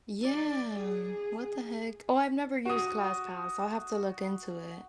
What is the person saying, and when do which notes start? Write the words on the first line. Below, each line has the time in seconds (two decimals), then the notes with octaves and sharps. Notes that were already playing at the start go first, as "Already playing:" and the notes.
yeah, what the heck? Oh, I've never used ClassPass. I'll have to look into it.
0.24 D5
0.75 G#4
2.65 F#4 D#6